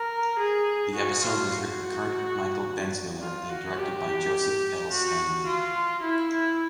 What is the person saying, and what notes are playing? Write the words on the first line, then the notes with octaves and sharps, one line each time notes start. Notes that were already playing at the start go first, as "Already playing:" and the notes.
The episode was written Kurt Michael Bensmiller and directed by Joseph L. Scanlan.
Already playing: A#4
G#4
F#4
F4
F#4
F4
F#4
G4
F#4
F4
E4
E4